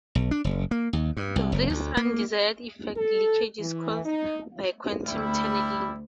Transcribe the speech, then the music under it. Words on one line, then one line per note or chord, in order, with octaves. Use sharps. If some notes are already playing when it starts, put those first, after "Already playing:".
This undesired effect, "leakage", is caused by quantum tunneling.
B1
D4
F#1
A#3
D#2
G2
C2
F#1
D2
A#3
A4
E3
D#4
D2 G3 E4